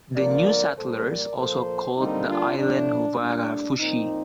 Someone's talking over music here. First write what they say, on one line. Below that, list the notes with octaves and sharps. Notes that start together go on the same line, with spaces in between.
The new settlers also called the island 'Huvarafushi'.
D3 F3 A#3 A#4 D5
A#2 G3 A#3 A4 C5
A#4 D5
A#2 F3 A#3 A4 C5
D3 G3 A#3 C4 D#4
D4 F4
A2 F3 A3 D4
A2 G3 A#3 D4
A#2 F3 A#3 C4 D#4